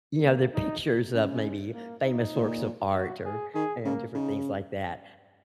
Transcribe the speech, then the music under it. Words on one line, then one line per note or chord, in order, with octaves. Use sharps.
you know, they're pictures of maybe famous works of art or and different things like that.
A#3
D#4
C#3 G#3
A#3
D#4
A#2
F#4
G#4
D#3 G#4
C#3 A#3
C#3 D#4